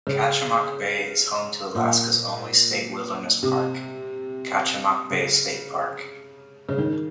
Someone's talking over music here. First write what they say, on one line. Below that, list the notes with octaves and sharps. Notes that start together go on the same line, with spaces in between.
Kachemak Bay is home to Alaska's only state wilderness park, Kachemak Bay State Park.
C#3
A#2
C3
C#3
C#3
D#3